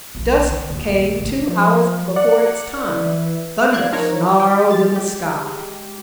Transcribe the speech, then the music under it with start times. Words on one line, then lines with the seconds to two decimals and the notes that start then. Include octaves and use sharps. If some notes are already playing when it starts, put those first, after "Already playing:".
Dusk came two hours before its time; thunder snarled in the sky.
0.15 B1 F3
0.50 D#3
0.69 A#1 D#2
1.18 A1 D2
1.48 F3
2.16 D5 F#5
2.88 E3
3.73 D5 F5 F#6 G#6
3.92 F3 D#4 A#4 C#5
4.40 G5
4.71 A6
4.92 G#3 G4